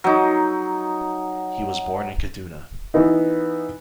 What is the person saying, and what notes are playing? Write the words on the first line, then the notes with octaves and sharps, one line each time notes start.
He was born in Kaduna.
F#3 D#4
E3 B3 D#4